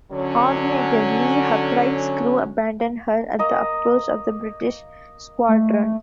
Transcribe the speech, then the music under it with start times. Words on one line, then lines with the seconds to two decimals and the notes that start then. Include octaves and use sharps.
Alternatively, her prize crew abandoned her at the approach of the British squadron.
0.12 D3 F#3 C#4
3.39 A#3 D#5 A#5
5.49 A3